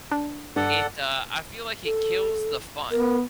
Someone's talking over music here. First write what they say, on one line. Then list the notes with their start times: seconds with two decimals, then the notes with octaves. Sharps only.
it, uh, I feel like it kills the fun.
0.12 D4
0.56 G2 A4 D5 F#5
1.85 A4
2.91 B3 A#4